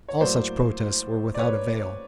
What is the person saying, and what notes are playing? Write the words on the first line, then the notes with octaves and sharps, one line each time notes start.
All such protests were without avail.
C#5
A2 F#3 A#3 C5 D5
D5
B4 C#5